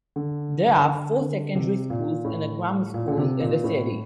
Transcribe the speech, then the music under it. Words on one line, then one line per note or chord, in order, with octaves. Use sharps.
There are four secondary schools and a grammar school in the city.
D3
D3
D3
C3
A#2
A2
A#2
D3
C3
A#2
A2